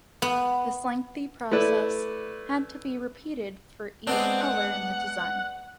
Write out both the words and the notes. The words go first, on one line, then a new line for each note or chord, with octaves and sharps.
This lengthy process had to be repeated for each color in the design.
B3
A3 E4 B4 D5
G#3 B3 C4 D4
F#5